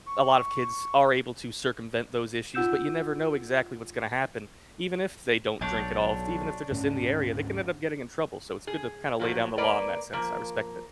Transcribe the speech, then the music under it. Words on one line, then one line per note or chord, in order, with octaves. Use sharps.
a lot of kids are able to circumvent those issues, but you never know exactly what's gonna happen even if they don't drink at all, f even if they're just in the area, they can end up getting in trouble, so it's good to kinda lay down the law in that sense, I respect it.
C#6
D#4 F4 F#5 E6 G6 E7
B1 D4 C#5 G6
D2 G#2 C#4
G#4
A2 F3 F#3
A#3 B4 D5
F3 A#3